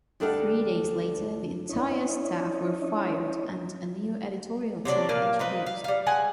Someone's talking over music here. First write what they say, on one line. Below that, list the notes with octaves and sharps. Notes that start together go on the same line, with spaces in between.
Three days later the entire staff were fired and a new editorial team introduced.
D2 G3 D4 A4 F5 F#5
C#4 D4 E4 C#5 D#5
C3 F#3 D4 D5
A#2 A#3 B4 F5
C4 D#4 B4
F5
G3 F5
G#3 F#5 G#5